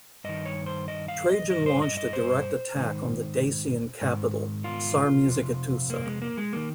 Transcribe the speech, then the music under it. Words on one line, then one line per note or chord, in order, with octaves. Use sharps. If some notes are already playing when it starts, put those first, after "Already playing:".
Trajan launched a direct attack on the Dacian capital, Sarmizegetusa.
G2 D#3 D#5
C#5
C5
D#5
F5
D#5
G2 D#3 D#5
C5
D#5
D#5
C5
G#2 D#3
G#2 D#3
F4
F2 C3
A#3
G#3
A#3
G#3
D#3 A#3